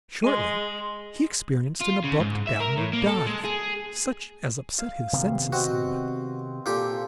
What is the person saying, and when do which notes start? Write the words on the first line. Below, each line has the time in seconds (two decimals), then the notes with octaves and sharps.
Shortly he experienced an abrupt downward dive, such as upset his senses somewhat.
0.24 G#3 G#5 C6
1.81 F4
2.04 C#3
2.20 G#2
2.47 E5
2.60 A#4
2.77 A2
2.93 A#3
3.07 A4
3.27 G#3
3.45 G#4
4.78 F5
5.13 C3 D#3 B3
5.53 C4 F#4 D#5
6.66 A#2 F4 G4 A4